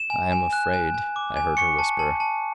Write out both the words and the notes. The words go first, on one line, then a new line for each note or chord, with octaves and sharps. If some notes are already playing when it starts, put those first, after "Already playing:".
"I am afraid!" I heard her whisper.
Already playing: E7
G#5
G#5
F#6
G#5
G#5
D6
G#5
C#6 C#7
A5
A5
A5